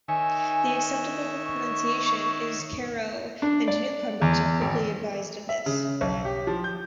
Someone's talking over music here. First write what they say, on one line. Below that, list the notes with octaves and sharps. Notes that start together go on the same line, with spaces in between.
The accepted pronunciation is "care-oh", and newcomers are quickly advised of this.
D#3 C#5 E5 G#5
C#6
D4
D5
E2
G#1
E5
C#3
B1
G4
F3
G6